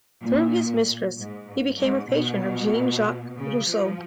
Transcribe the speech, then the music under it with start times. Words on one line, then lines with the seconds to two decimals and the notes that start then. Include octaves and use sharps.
Through his mistress, he became a patron of Jean Jacques Rousseau.
0.22 A#2
1.17 G#2
1.79 G#2
2.11 B2
3.36 C#3
3.67 F3